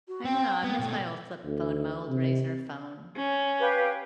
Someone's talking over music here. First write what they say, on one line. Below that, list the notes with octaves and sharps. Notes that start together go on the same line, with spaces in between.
I know, I miss my old flip phone, my old razor phone.
F#4
C4 G5
B3
B2 A3
D2
C3
C#4
G4 B4 F5